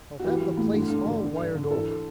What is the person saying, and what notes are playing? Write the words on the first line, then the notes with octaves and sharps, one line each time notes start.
I'll have the place all wired over.
F#4
E3 G4
E3
A2
D3
D3
D3
D3
G2
D3
E3 A4